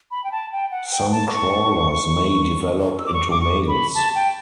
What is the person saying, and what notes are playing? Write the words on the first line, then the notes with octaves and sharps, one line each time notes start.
Some crawlers may develop into males.
B5
G5
A5
G5
F#5
G5
A5
C#6
E6
D6
C#6
D6
C#6
B5
A5
G5